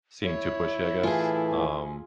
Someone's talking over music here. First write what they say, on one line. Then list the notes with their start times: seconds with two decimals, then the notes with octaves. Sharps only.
seem too pushy, I guess. Um,
0.24 E4 C#5
1.03 A2 E3 A3 F4 G#4 G#5